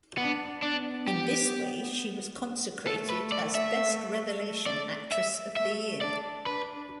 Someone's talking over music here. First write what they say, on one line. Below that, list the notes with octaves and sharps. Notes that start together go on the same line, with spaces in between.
In this way she was consecrated as "best revelation actress of the year".
B3 D4
B3 D4
G4
A3 A4
B4
D5
E5
D5
E5
A3 E5
D4 D5
D4 B4